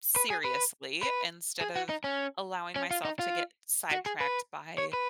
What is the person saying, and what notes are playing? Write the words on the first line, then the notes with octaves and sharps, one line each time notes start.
seriously instead of allowing myself to get sidetracked by
B4
G#4
B4
B4
G#4
F#4
D#4
C#4
C#4
F4
D#4
F4
F#4
G#4
B4
C#5
B4